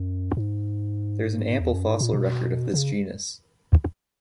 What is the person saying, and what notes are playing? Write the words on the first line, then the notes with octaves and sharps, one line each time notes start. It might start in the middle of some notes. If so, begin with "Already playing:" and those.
There is an ample fossil record of this genus.
Already playing: F#2
G#2
E2
F#2
G#2
A#2
B2
C#3